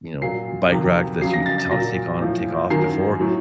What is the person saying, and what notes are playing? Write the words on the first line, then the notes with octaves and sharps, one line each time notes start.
you know, bike rack that you ta take on and take off before,
A#2 F#3 C7
F2 C3 D#3 F#3
F2 C#3 F#3 C7
A#6
A6
A6
A#2 F#3 A#6
A2 F3
F#2 D#3 F#3 C7
A2 F#3